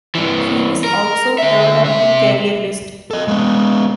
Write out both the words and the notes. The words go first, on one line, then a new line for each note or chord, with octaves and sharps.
He is also third on the career list.
G2 E3
A#4
D3 E5
C3 E5
A4 D#5
G#3 B3